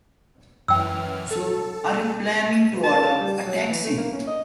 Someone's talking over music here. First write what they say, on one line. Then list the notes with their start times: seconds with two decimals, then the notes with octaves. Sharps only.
So, are you planning to order a taxi?
0.68 F#2 E3 G5 E6 F6
1.31 A4
2.83 A5
3.19 G3
3.46 F#3
3.69 E3
3.84 A3
3.98 A#3
4.12 C#4
4.27 D#5